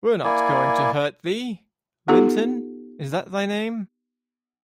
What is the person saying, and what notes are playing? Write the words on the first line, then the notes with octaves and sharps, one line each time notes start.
We’re not going to hurt thee, Linton — isn’t that thy name?
A#3 E4 D5 G#5
B3 D#4 F4 G4 A4